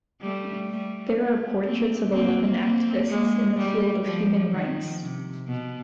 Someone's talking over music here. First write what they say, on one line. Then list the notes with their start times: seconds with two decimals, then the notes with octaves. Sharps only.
These are portraits of eleven activists in the field of human rights.
0.22 G3 A3
0.69 G3 A3
1.17 A3 B3
1.65 A#3 C4
2.12 A#3 C4
2.61 A#3 C4
3.08 G#3 A#3
3.57 G3 A3
4.04 F3 G3
4.52 D#3 F3
5.00 C3
5.48 B2